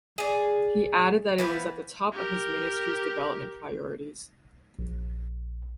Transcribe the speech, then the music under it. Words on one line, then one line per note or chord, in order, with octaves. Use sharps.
He added that it was at the top of his ministry’s development priorities.
G#4 D5
E3 F3 B3 B4
G4 A#4
A#1